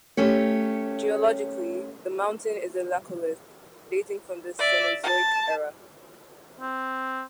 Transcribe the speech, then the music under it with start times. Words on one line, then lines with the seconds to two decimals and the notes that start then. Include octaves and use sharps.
Geologically, the mountain is a laccolith, dating from the Cenozoic era.
0.17 A3 C#4 G4 C#5
4.59 D5 E5
5.03 A5
6.60 C4